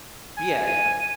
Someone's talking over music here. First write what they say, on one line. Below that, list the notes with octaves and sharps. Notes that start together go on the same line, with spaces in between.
Yeah, yeah.
G#5
D#7